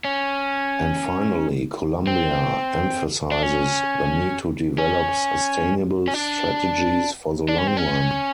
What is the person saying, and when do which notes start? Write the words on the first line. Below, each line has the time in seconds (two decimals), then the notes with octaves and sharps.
And finally, Columbia emphasizes the need to develop sustainable strategies for the long run.
0.05 C#4
2.07 C4
3.32 D4
3.43 C#4
4.78 C#4
6.08 C#4
6.14 D4
7.49 D4
7.58 C#4
7.67 C4
7.77 C#4